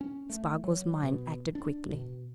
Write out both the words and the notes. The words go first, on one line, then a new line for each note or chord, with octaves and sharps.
Spargo's mind acted quickly.
C#4
A3
F#3
B2
D4
B2